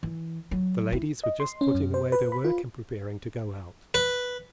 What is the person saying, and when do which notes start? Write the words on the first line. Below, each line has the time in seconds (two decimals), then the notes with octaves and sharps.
The ladies were just putting away their work and preparing to go out.
0.03 E3
0.51 F#3
0.92 E4
1.24 D#5
1.40 C6
1.61 C#4
1.74 F#2
1.94 C5
2.12 B4
2.32 B5
2.44 F4
3.94 B4